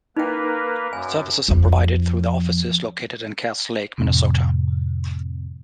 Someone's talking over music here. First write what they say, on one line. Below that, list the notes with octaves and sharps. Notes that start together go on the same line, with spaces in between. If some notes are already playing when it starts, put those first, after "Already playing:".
The services are provided through their offices located in Cass Lake, Minnesota.
A#3 D#4 A#4 B4 G5
F#2 G#5
F2 F3
F2 A2 C3